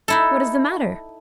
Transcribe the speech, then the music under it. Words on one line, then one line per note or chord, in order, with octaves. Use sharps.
"What is the matter?"
D#4 E4 A4